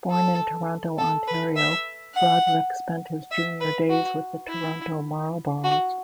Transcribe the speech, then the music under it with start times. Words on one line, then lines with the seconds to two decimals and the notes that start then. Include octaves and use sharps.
Born in Toronto, Ontario, Broderick spent his junior days with the Toronto Marlboros.
0.10 A4
0.98 A4
1.27 B4
1.56 E5
2.14 F#5
3.31 E5
3.60 B4
3.90 F#4
4.48 E4
5.64 F#4